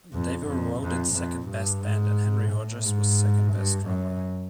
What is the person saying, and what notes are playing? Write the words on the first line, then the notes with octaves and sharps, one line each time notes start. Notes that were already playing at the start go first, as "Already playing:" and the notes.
They were voted second best band and Henry Rogers was second best drummer.
F2
F2
F2
F2
G2
G#2
A2
G#2
G2
F#2